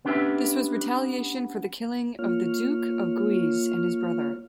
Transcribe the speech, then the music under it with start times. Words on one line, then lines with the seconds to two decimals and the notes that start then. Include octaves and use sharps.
This was retaliation for the killing of the Duke of Guise and his brother.
0.05 B3 C#4 D4 G4 B4 E5
2.19 A#3 F4 C#5 F6